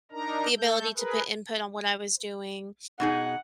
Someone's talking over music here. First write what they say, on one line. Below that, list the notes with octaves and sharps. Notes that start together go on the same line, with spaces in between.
the ability to put input on what I was doing.
D4 D#4 A#4 A#5
A3 A4 G6
G#4 A#4 B4
B2 D#4 G#4 F#5